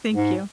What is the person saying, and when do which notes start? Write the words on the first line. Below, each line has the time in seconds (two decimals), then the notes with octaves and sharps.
Thank you.
0.12 G#2